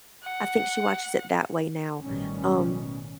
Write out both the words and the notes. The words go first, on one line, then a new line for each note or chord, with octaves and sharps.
I think she watches it that way now, um,
F#5
A1 B2 D#3 G3 C#4